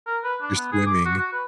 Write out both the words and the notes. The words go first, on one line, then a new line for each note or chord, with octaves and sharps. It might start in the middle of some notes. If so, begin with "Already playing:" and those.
You're swimming.
A#4
B4
D4
B3
G#4
D6
F#4
F#4
B4